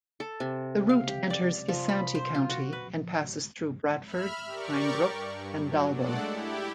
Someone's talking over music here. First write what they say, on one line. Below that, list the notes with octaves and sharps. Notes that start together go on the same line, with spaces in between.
The route enters Isanti County and passes through Bradford, Pine Brook, and Dalbo.
A4
C3
F5
G4
D5
F3
B5
C5
F4
F#4
B4
E5 B5 F6
G4 A#4 D5 C#6
G2
F#3
G#3 A3 D4 A4 D5 F#5
E4 G4